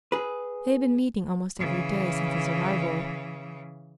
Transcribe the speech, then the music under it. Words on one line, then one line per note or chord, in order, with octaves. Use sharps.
They had been meeting almost every day since his arrival.
G#4 B4
C#3 E3